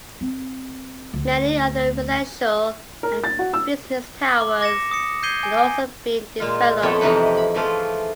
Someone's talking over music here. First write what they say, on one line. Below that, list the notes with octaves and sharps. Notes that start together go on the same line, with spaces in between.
Many other residential and business towers are also being developed.
C4
D2
A#4
A6
F#4
E6
D6
D6 A#6 C#7 E7
D#6 C#7
G6 G#6 C7 D#7 G7
G#5
G#5
A#2 G#3 F4
F2 B3 E4 A4 C#5 E5
F2 C3 E3 D#4 B4
B5
E3 F3 A3 F4 G#4